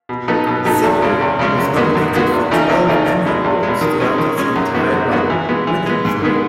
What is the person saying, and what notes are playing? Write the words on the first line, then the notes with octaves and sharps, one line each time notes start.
"Cybill" was nominated for twelve Emmy Awards throughout its entire run, winning three.
B2
F#3 B3 D#4 A4
B2
F#3 B3 D#4 A4
E2
C#3 G#3 C#4
E2
C#3 G#3 C#4
F#2
D#3 G#3 B3 F#4
F#2
D#3 G#3 B3 F#4
E2
C#3 E3 A3 D#4
E2
C#3 E3 A3 D#4
E2
B2 G#3
E2
B2 G#3
D#3
G#3 C#4
D#3
G#3 C#4
F#2
D#3 G#3 B3 F#4
F#2
D#3 G#3 B3 F#4
E3
G#3 B3
E3
G#3 B3
G#2
D#3 G#3 B3